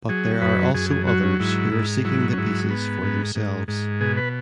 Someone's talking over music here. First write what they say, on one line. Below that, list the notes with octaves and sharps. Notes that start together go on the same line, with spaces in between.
But there are also others who are seeking the pieces for themselves.
F#3 G#4
F#2 B4
F#2 G#4
G#4
F#3 F#4
C#4
G#2 E4
G#2
F#3 E4
C#4
G#2 E4
B3
G#2
G#2
G#2
B2 G#4
B4